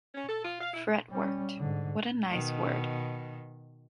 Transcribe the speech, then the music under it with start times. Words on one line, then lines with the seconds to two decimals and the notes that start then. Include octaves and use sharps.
Fret-worked, what a nice word!
0.15 C#4
0.29 A4
0.45 F4
0.61 F5
0.74 E4
1.10 G3 C#4
1.59 G#2 D3
2.30 B2 D#3